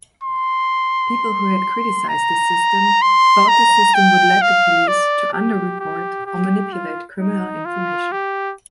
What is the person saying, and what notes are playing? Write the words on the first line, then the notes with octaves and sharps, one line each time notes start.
People who had criticized this system thought this system would led the police to underreport or manipulate criminal information.
C6
A#5
C6
A#5
G5
F5
D5
G4
G4
G4
F4
D#4
F4
G4